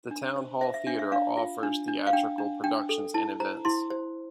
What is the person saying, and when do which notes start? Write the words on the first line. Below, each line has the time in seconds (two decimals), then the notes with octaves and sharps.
The Town Hall theatre offers theatrical productions and events.
0.11 D4
0.36 C5
0.61 C5 E5
0.74 E5
0.87 D4 E5
0.99 E5
1.12 D4 F5
1.37 F4
1.63 D4
1.88 D4
2.07 F5
2.13 D4 G5
2.38 D4
2.64 D4 G5
2.89 A4
3.14 E4 A5
3.40 C5 A#5
3.65 E4 C6
3.90 C5